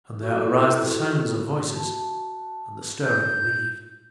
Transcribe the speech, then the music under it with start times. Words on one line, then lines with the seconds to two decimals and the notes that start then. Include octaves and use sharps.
And there arise the sounds of voices and the stirring of leaves.
0.23 E4 F#4 G4 A4
1.76 F#4 A5
3.04 G6